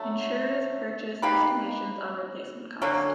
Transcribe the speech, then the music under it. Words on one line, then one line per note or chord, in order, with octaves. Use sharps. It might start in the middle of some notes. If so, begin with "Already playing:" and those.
Insurers purchase estimations on replacement cost.
Already playing: D3 F#3 A3
A#3 D#4 G4 B4
D3 F#3 A#3 C#4